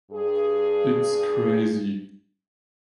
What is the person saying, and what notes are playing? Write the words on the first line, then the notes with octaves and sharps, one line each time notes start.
It’s crazy.
G2 G#4